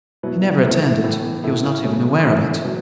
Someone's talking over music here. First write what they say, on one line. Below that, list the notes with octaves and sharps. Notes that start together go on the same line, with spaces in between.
He never returned it--he was not even aware of it.
B2 F#3 B3 E4
A2 A3 E4
A2 E3 B3
A2 A3 E4
C#3 F#3 A3 C#4
E3 A3 C#4 E4
B2 F#3 B3